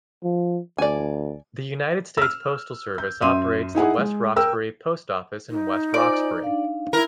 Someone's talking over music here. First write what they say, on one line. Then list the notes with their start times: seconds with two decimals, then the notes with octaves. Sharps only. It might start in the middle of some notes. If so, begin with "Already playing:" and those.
The United States Postal Service operates the West Roxbury Post Office in West Roxbury.
0.23 F3
0.78 D2 D5 G#5
2.17 E6 F6
2.98 G6
3.21 F#2 E5 C6 D#7
3.75 D#4 E4 G#4 F#5
3.98 G#3
4.36 A#4 G5 E6
5.50 D#4
5.94 F4 C5 D5 G#5
6.43 D4 D#4 F5
6.93 E4 A#4